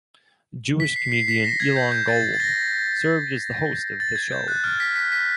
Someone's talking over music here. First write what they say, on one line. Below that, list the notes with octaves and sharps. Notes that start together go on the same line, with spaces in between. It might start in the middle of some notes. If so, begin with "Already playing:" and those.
Jewish comedian Elon Gold served as the host of the show.
B6
C7
C7
B6
A#6
G#6
G6
G6
A6
A6
A#6
A6
G#6
G6
F#6
F6
B6
B6
B6